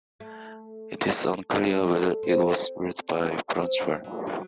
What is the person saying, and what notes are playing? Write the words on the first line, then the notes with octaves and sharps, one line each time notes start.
It is unclear whether it was ruled by Brochwel.
A3
G3
A3
C4
C4
F#3
F#3
F#3